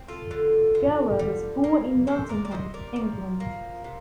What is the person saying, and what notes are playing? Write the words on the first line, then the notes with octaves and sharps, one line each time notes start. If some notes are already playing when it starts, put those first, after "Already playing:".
Gower was born in Nottingham, England.
Already playing: C4
F4 A4
D3
D3
G3
A#3
C3 A4 C5
A#4 D5
D5
C3 C5 D#5
A#4 D5
F3
A#3
C3